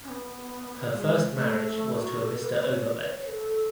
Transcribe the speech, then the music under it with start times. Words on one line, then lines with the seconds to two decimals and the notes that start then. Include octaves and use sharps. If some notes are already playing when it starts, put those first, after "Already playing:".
Her first marriage was to a Mr. Overbeck.
0.04 C#4
0.09 B3
0.73 B3
0.94 G#3
1.37 A3
2.00 F#4
2.22 A4
2.43 B4
2.64 C#5
2.86 D5
3.02 B4
3.07 C#5
3.28 A4